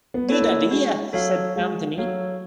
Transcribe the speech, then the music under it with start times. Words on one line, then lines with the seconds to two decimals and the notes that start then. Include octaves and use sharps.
"Good idea," said Anthony.
0.14 B3
0.29 E4 A4 C#5
0.43 A#3
0.71 G#3 F#4
1.13 F#3 A4 C#5 F5
1.56 G#3 F#4
1.98 F#3 A4 C#5 F5